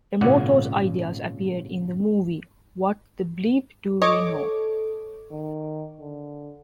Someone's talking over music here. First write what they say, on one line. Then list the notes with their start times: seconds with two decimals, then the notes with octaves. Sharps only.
Emoto's ideas appeared in the movie "What the Bleep Do We Know!?".
0.21 G#1 A#2 C#3 E4 D5 F#5
4.02 A4 C#5 D#5 D6
5.31 D#3
6.00 D3